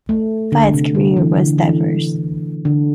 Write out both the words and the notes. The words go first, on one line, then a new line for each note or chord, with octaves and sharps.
Wyatt's career was diverse.
A3
D3
C3
D3
E3
D3
E3
D3